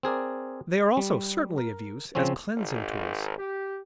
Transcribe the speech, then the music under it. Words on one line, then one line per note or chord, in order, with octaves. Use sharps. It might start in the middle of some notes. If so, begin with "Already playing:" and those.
They are also certainly of use as cleansing tools.
C4 G#4 A#4 D5
G3
A#4
C#3 F3 C4 C#4
G#1
G4